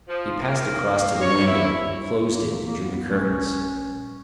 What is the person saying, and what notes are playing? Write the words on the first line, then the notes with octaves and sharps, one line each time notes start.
He passed across to the window, closed it and drew the curtains.
F3
A#3
C#5
E4
A#3
A3
A#3
B3
A#1 G3 A3 C#4